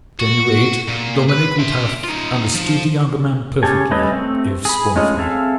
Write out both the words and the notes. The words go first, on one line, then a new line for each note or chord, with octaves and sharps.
At any rate Dominic would have understood the younger man perfectly--if scornfully.
F#4
A#2
B4
E5 C6
D#4 F4
F3
C#3 C#4 G4 A4 G#5
G3 A3 C#4 B4 D#5
A3 C4
G#4 B5
G#3 A3 C#4 F4 D#5
C4 G#4 A4 E5 F5